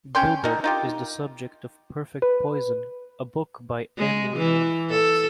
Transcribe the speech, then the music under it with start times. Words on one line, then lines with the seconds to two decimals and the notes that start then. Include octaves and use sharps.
Gilbert is the subject of "Perfect Poison", a book by M. William Phelps.
0.15 C#4 G5 C6
0.44 D3 D#4 A#4
0.64 D#4 F4 G4
2.22 B4
3.98 G#3
4.37 E3
4.90 A4